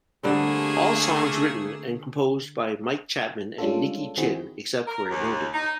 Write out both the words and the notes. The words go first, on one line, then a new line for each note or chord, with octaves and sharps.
All songs written and composed by Mike Chapman and Nicky Chinn except where noted.
D3 G3 A3 A#3 C4 G#4
G3 G#3 C#4 D4 F4 A4
D#3 C4 E4 F#4 G#4
A#4
D#2
D#4